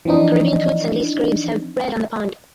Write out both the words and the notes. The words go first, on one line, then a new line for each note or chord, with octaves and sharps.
Caribbean coots and least grebes have bred on the pond.
E3 F3 C4 D4 D#4